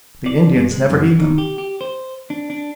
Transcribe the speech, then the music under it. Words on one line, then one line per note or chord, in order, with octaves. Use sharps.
The Indians never eat them.
D5
G2
G#3
F#2
E3
D#3
G4
G4
C5
D4
D4